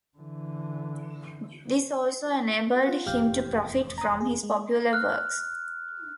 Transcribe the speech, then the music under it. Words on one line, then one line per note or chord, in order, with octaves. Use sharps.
This also enabled him to profit from his popular works.
D3 E3
F4 F#5
F1 E2 A2 G4 F5 G5
A#5 D#6
G#4
G#3
F6 F#6